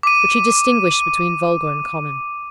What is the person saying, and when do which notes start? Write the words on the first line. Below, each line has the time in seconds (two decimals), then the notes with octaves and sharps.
But she distinguished between vulgar and common.
0.03 D6 D#7